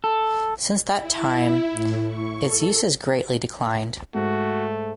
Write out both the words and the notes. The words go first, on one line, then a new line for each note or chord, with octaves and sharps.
Since that time, its use has greatly declined.
A4
E4
A2
C#6
A4
G#2 A3 F#4